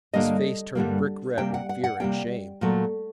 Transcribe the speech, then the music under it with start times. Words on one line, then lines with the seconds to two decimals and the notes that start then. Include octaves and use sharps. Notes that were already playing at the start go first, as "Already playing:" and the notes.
His face turned brick-red with fear and shame.
0.13 G2 D3 G3 A#3 D#5
0.75 G2 D3 G3 A#3
1.38 C3 G3 A#3 G5
1.54 F#5
1.69 F#5
1.84 F#5
2.00 C3 G3 A#3 G5
2.61 A#2 F#3 A3